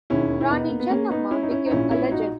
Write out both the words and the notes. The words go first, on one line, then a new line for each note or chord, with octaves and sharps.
Rani Chennamma became a legend.
E1 D#2 D#3 C#4 E4
E4
B3 D#4
A#3
B3
A#3 C#4
B3 D#4
C#4 E4
D#4
C#4 E4
D#4
A#1 A#2 C#4 E4
C#4 E4
D#4 F#4